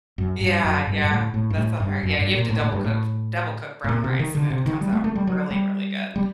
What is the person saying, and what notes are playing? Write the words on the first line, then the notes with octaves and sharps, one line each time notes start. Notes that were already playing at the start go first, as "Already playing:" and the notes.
Yeah, yeah, that's the hard yeah, you have to double coo f double cook brown rice, and it comes out really, really good.
F#2
G2
F#2
G2
G2
A2
A2
G2
A2
G2
F#2
G2
A#2
A2
A2
G2
A2
A2
A#2
C3
D#3
D3
C3
D#3
G3
A3
A3
G3
F#3
G3
G3